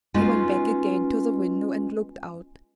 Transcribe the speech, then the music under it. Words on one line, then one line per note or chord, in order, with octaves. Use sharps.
He went back again to the window and looked out.
G#3 B3 C#4 D#4 F4 F#4